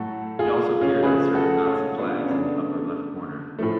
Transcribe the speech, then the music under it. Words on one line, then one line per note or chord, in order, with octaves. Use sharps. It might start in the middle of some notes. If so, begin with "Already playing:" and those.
It also appeared on certain Nazi flags in the upper left corner.
Already playing: A2 F#3 A3 F#4 A4
F4 G#4
C#4 F4
C#3 F3 A3 G#4 B4
F#4 A4
C#4 F4
B3 D4
C#4
C#3 F#3 A3 B3 D4
A2 F3 A3